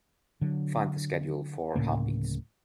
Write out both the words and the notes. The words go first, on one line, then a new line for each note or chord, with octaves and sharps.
Find the schedule for Heart Beats.
D3 F#3
D1 A2 C#3 A#3